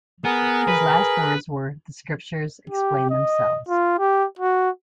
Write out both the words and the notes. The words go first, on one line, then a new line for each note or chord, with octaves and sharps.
His last words were The Scriptures explain themselves.
B3 G#4 A#4
B4
G4
D#5
F4
G4
F#4